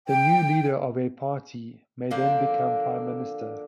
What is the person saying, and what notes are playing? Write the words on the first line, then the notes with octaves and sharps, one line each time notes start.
The new leader of a party may then become prime minister.
G5
D3 F3 A#3 D4